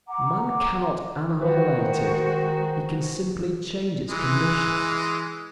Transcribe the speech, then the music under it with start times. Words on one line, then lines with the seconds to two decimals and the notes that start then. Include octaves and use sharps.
Man cannot annihilate it, he can simply change its condition.
0.08 F#5 A#5 D6
1.41 D#3 G#3 F#4 B4 C5
4.09 E3 G#3